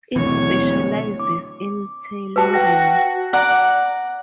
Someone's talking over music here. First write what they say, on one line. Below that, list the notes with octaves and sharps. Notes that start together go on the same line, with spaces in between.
It specialises in tailoring.
D1 D#2 B2 E3 C#5
D6
F#4 B4 A5
F#5 G5 A#6
D5 F#5 A#5